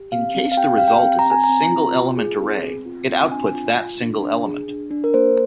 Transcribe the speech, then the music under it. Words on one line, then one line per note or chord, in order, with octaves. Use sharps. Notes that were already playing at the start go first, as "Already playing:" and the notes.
In case the result is a single-element array, it outputs that single element.
Already playing: G4
C4 F5
C4
F5
G4 G5
G4 F5
G5
C4
A#5
C4
G#5
A#5
C4
F4
F4
G#4
C4
C4
F4
C4
D4 G#5
F4
F4
D4
D4
G#4
D4
D4
A#4
A#3 C5